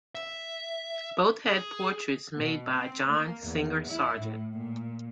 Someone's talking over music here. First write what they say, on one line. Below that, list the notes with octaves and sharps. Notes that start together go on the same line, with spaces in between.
Both had portraits made by John Singer Sargent.
E5
G#4
B2
C4
A#3
E2
E4
A2
A#2